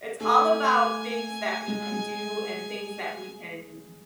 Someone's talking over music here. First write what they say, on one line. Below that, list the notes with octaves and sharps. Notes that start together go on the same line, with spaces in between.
it's all about things that we can do and things that we can g
A3 G#5
G#3
G#3